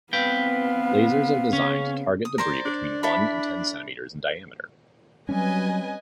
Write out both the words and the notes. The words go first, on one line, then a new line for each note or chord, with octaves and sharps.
Lasers are designed to target debris between one and ten centimeters in diameter.
B3 C4 B4 F5 G5
C#3 C#4
D#6
A#4 C5 D5
D4
E4 A4 B5
F#3 G3 C4 C#4 B4 D#5 G#5